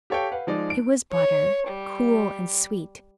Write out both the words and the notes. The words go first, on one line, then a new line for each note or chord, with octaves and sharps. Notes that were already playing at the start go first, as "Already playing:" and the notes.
It was butter, cool and sweet.
G4 A4 C#5 F5 G5
B4 F5 F#5
F3 G#3 D#4 D5
D7
C#5
G3